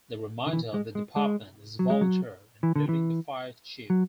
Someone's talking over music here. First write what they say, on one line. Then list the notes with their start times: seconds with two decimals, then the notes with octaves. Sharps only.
The remainder of the department is volunteer including the Fire Chief.
0.46 D3
0.53 E3
0.74 G#3
0.95 G#3
1.16 G#3
1.79 F#3
1.90 G#3
2.01 F#3
2.63 E3
2.76 D3
2.89 E3
3.90 F#3